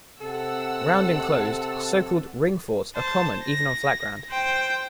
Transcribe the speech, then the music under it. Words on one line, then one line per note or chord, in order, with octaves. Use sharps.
Round and closed, so called, "ring forts" are common even on flat ground.
C3 A4 F#5 E6
C5 A5
A#6
C5 G5